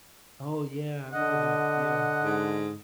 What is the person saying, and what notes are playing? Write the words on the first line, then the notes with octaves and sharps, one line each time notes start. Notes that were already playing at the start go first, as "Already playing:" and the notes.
Oh yeah, I remember that yeah.
D3 D#5 F#5
G#2